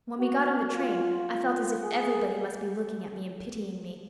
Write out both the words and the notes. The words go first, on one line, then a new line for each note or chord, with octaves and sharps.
When we got on the train I felt as if everybody must be looking at me and pitying me.
F#4
F4
F4
G#4